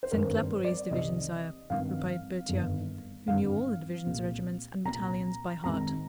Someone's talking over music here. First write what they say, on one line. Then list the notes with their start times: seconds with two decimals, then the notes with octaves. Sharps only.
"Send Claparede's division, sire," replied Berthier, who knew all the division's regiments, and battalions by heart.
0.03 C5
0.12 G#1 G2 D#3 A#4
0.38 C5
0.65 D5
0.91 C2 C3 D#3 D#5
1.70 G#1 G2 D#3 F5
2.49 G1 G2 D#3
3.27 G#1 G2 D3 F5
4.06 C2 A#2
4.85 C2 A#2 A#5
5.64 G#1 G#2 D#3 A#5